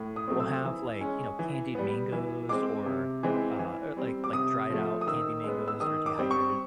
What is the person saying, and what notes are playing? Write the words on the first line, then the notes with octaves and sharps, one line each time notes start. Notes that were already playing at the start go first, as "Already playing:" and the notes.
we'll have like, you know, candied mangoes or, uh or like, like dried out candy mangoes or dehydrated,
Already playing: A2
D#6
F#3 A3 C4
E6
E3
G#3 C#4
E3
G3 B3
E3
G#3 C4 D6
C3
E3 G#3 C4
E3
G3 C4
D6
C3 D#6
F3 A3
D#6
D#3 E6
G#3 B3
E6
D#3 D#6
D6
G3 C4
C#6